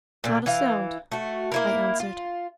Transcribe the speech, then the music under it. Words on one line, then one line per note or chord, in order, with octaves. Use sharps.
"Not a sound!" I answered.
A#2 D3
E3 F5
A3 F#4
A#3 E4 A#4
F4